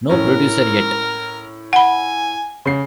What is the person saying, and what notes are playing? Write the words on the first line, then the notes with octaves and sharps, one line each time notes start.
No producer yet.
A2 C#4 A#4
F#5 G#5 B5
C#3 C7